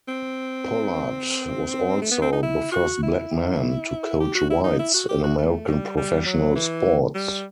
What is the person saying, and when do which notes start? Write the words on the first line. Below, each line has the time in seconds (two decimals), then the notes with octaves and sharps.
Pollard was also the first black man to coach whites in American professional sports.
0.08 C4
2.02 A3
2.11 B3
2.22 C4
2.32 D#4
2.43 E4
2.72 F#4
3.03 E4
4.20 G4
4.35 F#4
4.50 E4
4.64 D#4
4.79 E4
4.94 F#4
5.09 G4
5.24 F#4
5.38 A3
5.68 G3
5.97 G3
6.26 F#3
6.55 E3
7.14 G3